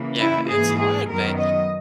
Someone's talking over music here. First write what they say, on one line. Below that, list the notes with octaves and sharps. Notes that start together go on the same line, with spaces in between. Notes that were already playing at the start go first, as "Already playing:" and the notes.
Yeah, it's hard, but
Already playing: C#3 E3 A#3
E4
G#2 E3 A#3 G#4
G#4
F#2 D#3 F#3 B3 A#4
D#5